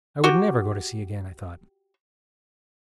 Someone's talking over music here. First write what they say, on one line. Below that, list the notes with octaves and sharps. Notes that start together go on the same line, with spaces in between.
I would never go to sea again, I thought.
F#4 G4